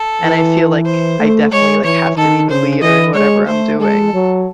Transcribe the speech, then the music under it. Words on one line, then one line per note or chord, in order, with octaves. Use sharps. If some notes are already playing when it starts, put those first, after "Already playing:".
and I feel like, I definitely, like, have to be the leader in whatever I'm doing.
Already playing: A4
E3
C5
A3
G#3 C#5
E3 C#5
D#3 A4
C#3 C5
E3 D#5
G#3 C#5
A3 C5
G#3 A4
F#3